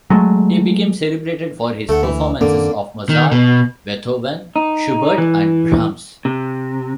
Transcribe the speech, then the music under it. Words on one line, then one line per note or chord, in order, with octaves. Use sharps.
He became celebrated for his performances of Mozart, Beethoven, Schubert and Brahms.
F#3 G#3 A3
D2 A3 F#5
E3
F#2 D3 D#3 A#3 C4
D#3
B2
D#4
E3
C3